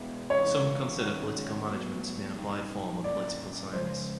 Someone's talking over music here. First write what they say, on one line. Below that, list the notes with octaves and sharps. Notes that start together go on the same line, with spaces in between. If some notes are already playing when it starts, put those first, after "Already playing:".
Some consider political management to be an applied form of political science.
Already playing: B2 G#3 B3 E4
C3 E3 G#3 C#4 F4 C#5
C3 D#3 G#3 C#4 F#4
A2 F#3 B3
A#2 G3 C4 D#4
A#2 G3 A#3 C#4 E4 D5
C#3 F3 G#3 C5